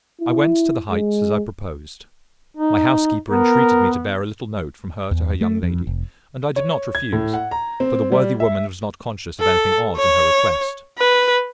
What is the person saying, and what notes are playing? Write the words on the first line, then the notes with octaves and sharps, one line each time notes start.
I went to the Heights as I proposed: my housekeeper entreated me to bear a little note from her to her young lady, and I did not refuse, for the worthy woman was not conscious of anything odd in her request.
E4
G#3
D#4
B3 A#4
E2
A3
F2
F1
C#5
G#6
A2
F#5
A#5
C4
G3
E5
A4
C#5
B4